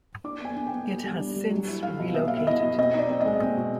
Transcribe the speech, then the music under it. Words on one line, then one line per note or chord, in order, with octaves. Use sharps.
It has since relocated.
D4 D6
B3 G#5
D4
G5
B3
B3
G3
D4
G3
F#3
E4
E4 F5
B2
B3 E5
B3 F5
E5
E4 D#5
B2
C4 D#5
D#4 D5
C4
G#3 D#5
C4
B2